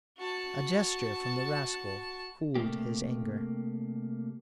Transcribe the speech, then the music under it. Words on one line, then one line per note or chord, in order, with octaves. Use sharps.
A gesture from the rascal cooled his anger.
F#4 A5
C3 A3 A#3 G4